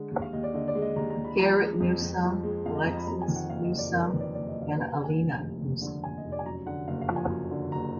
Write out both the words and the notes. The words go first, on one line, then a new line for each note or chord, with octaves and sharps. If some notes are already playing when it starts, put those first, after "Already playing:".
Garrett Newsome, Alexis Newsome, and Alena Newsome.
Already playing: D3 G#3
D#2
F5
D#2 D#5
D5
D3 D#5
D5
G#3
D#5
D#2 A#5
A#5
D#2
B5
F3 A#5
G#3
F2
F2
F3
G#3
F2 F5
D#5
F2 A#5
B5
F2 A#5
G#5
D#3
F#5
F#1 F5
D#5
F#1
D5
F2 A#4
B4
D#3
D5
F#1 D5
D#5
F#1
F5
D#2 B4
D3
G#5
F1
F1
D#2
D3
F1 G#5
D#5
F1
D5
G#5
F#2 A#5
D3 F#5
F#1 F5
F5
F3
G#5
F#2
D3
F#1 A#5